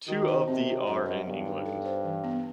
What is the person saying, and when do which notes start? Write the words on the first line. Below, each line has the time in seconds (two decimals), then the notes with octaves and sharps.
Two of the are in England.
0.08 D#3 F#4
0.28 C5
0.47 C3 C4
0.67 F#4
0.87 F#2 C5
1.06 D#5
1.26 G2 B3
1.45 D#4
1.65 A4
1.85 C5
2.04 E3
2.24 B3